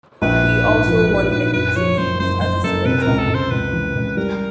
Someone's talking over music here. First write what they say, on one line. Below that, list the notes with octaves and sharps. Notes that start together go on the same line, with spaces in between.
He also won many trophies as a sprinter.
A#1 B4
A#1
G#2
F3
A#1
A#1
F#1 B4
F3 C#5
F#1 C5
F#1 C5
F#1 C5
F#1 A4
C3 B4
C#2 A#4
A4
C#2
C5
C#2 B4
E3
C#2
G3 A#4